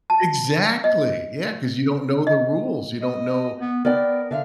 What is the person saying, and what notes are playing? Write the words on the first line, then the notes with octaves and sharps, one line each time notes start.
Exactly! Yeah, 'cause you don't know the rules. You don't know
A5
D#5
D#5
D#5
B3
B3 A#4 D5 G5
D3 E5 F5